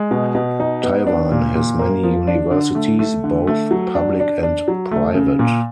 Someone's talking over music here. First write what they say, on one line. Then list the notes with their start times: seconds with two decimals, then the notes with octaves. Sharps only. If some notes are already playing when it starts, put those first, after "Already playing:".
Taiwan has many universities, both public and private.
Already playing: G#3
0.11 B2
0.35 B2
0.60 D#4
0.83 B3
1.07 D4
1.32 A#2
1.55 A#2
1.79 A#3
2.03 F3
2.27 D4
2.51 D3
2.75 A3
2.99 A3
3.24 D3
3.47 A3
3.71 F#3
3.95 D4
4.20 D4
4.43 D4
4.68 F#3
4.91 A3
5.15 C#3
5.39 A#2